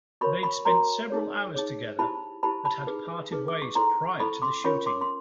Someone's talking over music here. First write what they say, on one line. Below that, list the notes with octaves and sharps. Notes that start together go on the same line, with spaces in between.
They'd spent several hours together, but had parted ways prior to the shooting.
F#4 A#4 C#5 B5 C#6
B5 C#6
F#4 A#4 C#5 A#5 C6
D#4 G#4 C#5
D#4 G#4 C#5
E4 G4 C5 A5 B5
E4 G4 C5 A5 B5
A5 B5
D#4 G#4 B4
D#4 G#4 B4
D6
C#6
E4 A4 C5 A#5 C6
E4 A4 C5 B5 C#6
C6 D6
C#4 F4 A#4 C#5 B5 C#6
C6 D6
C6